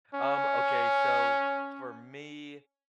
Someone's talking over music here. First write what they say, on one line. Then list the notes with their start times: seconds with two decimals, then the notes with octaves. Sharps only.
Um, okay, so, for me,
0.14 C#4